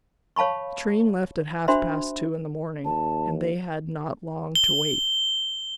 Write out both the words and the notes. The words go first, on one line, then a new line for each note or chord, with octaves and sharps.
The train left at half past two in the morning, and they had not long to wait.
C#5 F5 A5 B5 C#6
D4 F#4 C5 E5 B5 C6
D#2 A5
G7